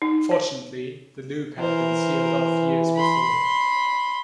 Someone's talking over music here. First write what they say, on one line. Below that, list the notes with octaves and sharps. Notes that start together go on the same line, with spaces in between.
Fortunately, the loop had been sealed off years before.
D#4
C#5
E3 A#4 C5
B5 C6